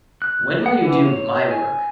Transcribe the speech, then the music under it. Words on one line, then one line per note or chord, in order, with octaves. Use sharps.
When will you do my work?
F#6
F#5
E3
C#5
G#5